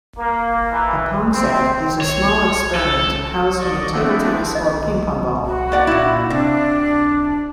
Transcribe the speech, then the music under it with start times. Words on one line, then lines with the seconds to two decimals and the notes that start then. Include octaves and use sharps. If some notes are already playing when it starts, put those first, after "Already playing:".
A PongSat is a small experiment housed in a table tennis or ping-pong ball.
0.17 A#3
0.71 E3
1.32 C4
2.01 C#5
2.75 A4
3.60 D5 D#5 C#6
3.92 F3 A3 B3 C4 D4 E4
4.55 D#5
5.46 F#4
5.72 A#3 D5 F#5
5.87 A#2 E4
6.30 C3 D4